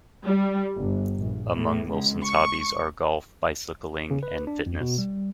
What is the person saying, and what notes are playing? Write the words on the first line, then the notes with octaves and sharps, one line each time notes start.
Among Wilson's hobbies are golf, bicycling, and fitness.
G3
G1
A#1
A2
C#2
C#6
C#3
B4
D4
F2
B2
G3